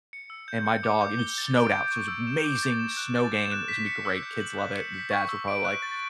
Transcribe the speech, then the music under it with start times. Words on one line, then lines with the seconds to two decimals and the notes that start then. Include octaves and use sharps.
and my dog and it snowed out, so it was amazing snow game. It was gonna be great, kids love it. The dads were probably like
0.13 C#7
0.30 E6
0.48 G6
0.66 C#7
0.83 D6
1.01 G6
1.19 G7
1.38 A6
1.56 D7
1.72 G6
1.91 C#6
2.08 E6
2.27 E7
2.44 D6
2.63 A6
2.79 E7
2.97 F#6
3.15 A6
3.34 E7
3.52 F#6
3.68 B6
3.86 C#7
4.05 E6
4.23 G6
4.40 F#7
4.58 F#6
4.76 C#7
4.94 B6
5.11 C#6
5.29 E6
5.48 D7
5.65 F#6
5.82 A6